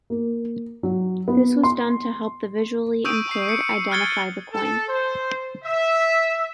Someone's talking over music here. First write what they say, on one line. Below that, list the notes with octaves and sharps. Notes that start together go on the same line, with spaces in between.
This was done to help the visually impaired identify the coin.
A#3
F#3
B3
C6
C#6 D#6 E6 G6 D7 D#7
C7
C#7
F6 F#6 G#6 A6 C#7 G7
A4
C5
E5